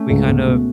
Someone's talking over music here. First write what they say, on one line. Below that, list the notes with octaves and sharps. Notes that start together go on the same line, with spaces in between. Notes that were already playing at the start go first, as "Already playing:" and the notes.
we kind of
Already playing: A3 C#4
C#2
C#2 B3
B2